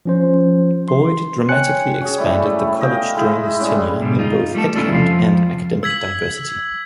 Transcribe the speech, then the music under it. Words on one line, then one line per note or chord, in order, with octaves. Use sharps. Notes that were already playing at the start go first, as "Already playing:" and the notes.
Boyd dramatically expanded the college during his tenure in both headcount and academic diversity.
F3 C#4 C5
C6
C#5 G5 G#5 F#6 C#7
C#4 F#4 G#4
G3 A3 E4
D#5 F5 G5
G#3 E4 G#4
A2 C#3 G3 G#4
G#2 B2 D3 G3
D#4 F4
G3 A3 A4
A3 C#4 E4 F4 A4 D5
F2 F3 F5
E6 G#6 B6 F#7